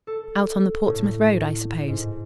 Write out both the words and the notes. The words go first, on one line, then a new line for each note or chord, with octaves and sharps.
"Out on the Portsmouth Road, I suppose?"
A4
A2
G#2